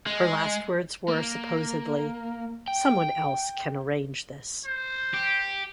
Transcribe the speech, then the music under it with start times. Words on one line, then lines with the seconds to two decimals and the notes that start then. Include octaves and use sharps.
Her last words were supposedly, "Someone else can arrange this".
0.06 G#3
1.08 A#3
2.68 G5
4.65 C5
5.14 G4